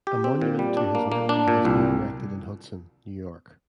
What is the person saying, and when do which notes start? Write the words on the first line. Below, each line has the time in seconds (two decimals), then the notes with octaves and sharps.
A monument to his memory has been erected in Hudson, New York.
0.07 G4
0.24 C4
0.41 A#2
0.59 G3
0.77 D4
0.95 A#3
1.12 A#3
1.29 D4
1.48 A#2
1.65 C2